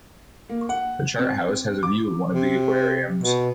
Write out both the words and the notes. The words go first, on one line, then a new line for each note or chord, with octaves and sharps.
The Chart House has a view of one of the aquariums.
A#3
F#5
C4
D6
C3
B2